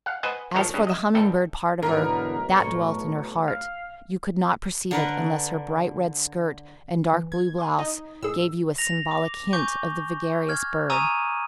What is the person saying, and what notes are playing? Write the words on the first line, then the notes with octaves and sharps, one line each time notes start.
As for the humming-bird part of her, that dwelt in her heart; you could not perceive it unless her bright red skirt and dark blue blouse gave you a symbolic hint of the vagarious bird.
F5 F#5
B4 C5 D#5 F#5 G#5
G#1 D#3 F3 A4 C#5
G2 C#3
D#5 E5
G1 C2 A4 E5 G5
B1 G#2 D3 E3 B3 A#4
A2 C#5 C#6
F5
D3 A#4 B4
E3
G#6
G#5 C6 D6
D#4 D#5
A2 G#4 E6
A#6 F7
D6
G#5 C#6 D6 G6 G7
F6 G#6
G#5 A#5 C#6 D#6 E6 D#7